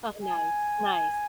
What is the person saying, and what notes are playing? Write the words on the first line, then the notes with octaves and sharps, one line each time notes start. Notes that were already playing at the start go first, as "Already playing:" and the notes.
Oh, nice, nice.
G#5